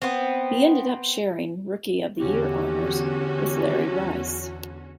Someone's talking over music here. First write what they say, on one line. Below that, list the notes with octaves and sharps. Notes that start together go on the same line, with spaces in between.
He ended up sharing "Rookie of the Year" honors with Larry Rice.
B3 C4
E2 D3 C#4 F#4 G4